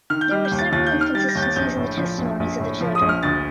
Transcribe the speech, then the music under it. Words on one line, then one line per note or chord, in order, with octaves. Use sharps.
There were several inconsistencies in the testimonies of the children.
D#3 F6
G6
G3 F6
G6
D#2
A6
D#2 A6
G6
D#3
F6
G3 A6
A#6
D#2 G6
A6
A#1 G6
A2
F3
A#1
A#1
A2
F3
D#6
A#1
F6
D2 A6